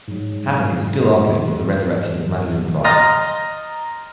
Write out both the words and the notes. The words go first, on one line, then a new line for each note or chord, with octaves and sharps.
Havok is still arguing for the resurrection of Madelyne Pryor.
G#2 F#3
D#5 A#5 C6 F6 A6 A#6